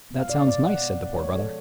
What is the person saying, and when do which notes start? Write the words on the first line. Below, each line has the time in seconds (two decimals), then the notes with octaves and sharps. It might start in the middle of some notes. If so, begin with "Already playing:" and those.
"That sounds nice," said the Poor Brother.
0.11 B3
0.18 F5
0.28 B2 D5
0.46 G#3 D5
0.64 B2 F#5
0.82 B3
0.99 B2
1.17 G#3 C#5
1.35 F3 A4